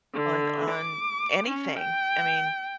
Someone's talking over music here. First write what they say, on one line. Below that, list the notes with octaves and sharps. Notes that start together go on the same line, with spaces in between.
on on anything, I mean,
D3
D6
C#4
G5